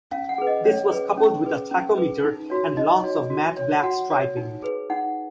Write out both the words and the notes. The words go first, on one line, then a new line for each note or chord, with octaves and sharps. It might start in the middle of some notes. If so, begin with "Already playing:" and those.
This was coupled with a tachometer and lots of matte black striping.
C#4 F5
F#5
G#4 B4
D#5
C#4 C#5
G#4 B4
C#4
G#4 B4
C#4
G#4 B4
D#4
F#4 C#5
D#4 D#5
F#4 C#5
F#4
C#5
F#4 F#5
C#5
D#4
G#4 B4
D#4 F#5